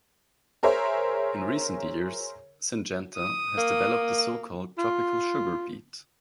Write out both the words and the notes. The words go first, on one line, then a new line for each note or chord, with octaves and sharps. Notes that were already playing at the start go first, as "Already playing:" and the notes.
In recent years, Syngenta has developed the so-called tropical sugar beet.
G#4 A#4 C5 C#5 E5
D#6
A#3
F4